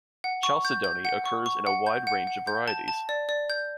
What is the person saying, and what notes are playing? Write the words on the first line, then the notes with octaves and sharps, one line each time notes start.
Chalcedony occurs in a wide range of varieties.
F#5
C#6
G6
G6
F#5
C#6
C#6
F#5
G6
F#5
F#5
G6
A5
A5
D5
D5
G6